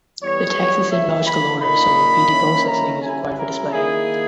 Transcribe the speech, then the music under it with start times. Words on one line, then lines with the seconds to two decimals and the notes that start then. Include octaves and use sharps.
The text is in logical order, so bidi processing is required for display.
0.21 E3 G3 B3 C#5
0.91 C#3 E3 A#3 E5
1.27 B5
1.61 A#2 A#3 D#4 B5
2.32 D#3 A#3 C#4 E4
2.67 A#5
3.02 G3 C#4 E4 G#5
3.38 A#4
3.72 D#3 A#3 E4 G#4